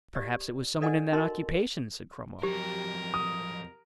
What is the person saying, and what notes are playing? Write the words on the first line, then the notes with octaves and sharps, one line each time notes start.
"Perhaps it was some one in that occupation," said Cromwell.
G4 D5
A4 B4 D5 D#5 F#5 G#5
D#4 F#4 A#4 D#5 A#5 C6
F2 F#3 G4 A#4
D#6